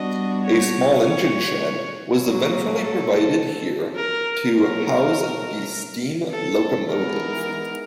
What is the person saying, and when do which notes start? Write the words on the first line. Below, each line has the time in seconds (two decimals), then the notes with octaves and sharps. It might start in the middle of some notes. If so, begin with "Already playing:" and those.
A small engine shed was eventually provided here to house the steam locomotive.
Already playing: G3 B3 D4 F#4 D#5
0.44 C#5
1.03 C#5
2.20 A#2 F#3 A#3
2.79 A4
3.96 A#4
4.55 B2 F#3 A3 A#4
6.30 A4
6.90 E3 G#3 B3 D#4 A#4